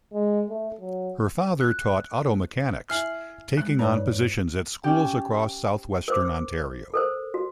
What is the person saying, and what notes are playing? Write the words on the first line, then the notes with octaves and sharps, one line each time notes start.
Her father taught auto mechanics, taking on positions at schools across southwestern Ontario.
G#3
A3
F#3
F#6
E4 E5 G#5 F6 C7 F#7
G#3 F#6
G2 D#4 B4 C#5 D5 A5
C#4 G4
A#4 C5 D6
A4 A#4 C5
F#4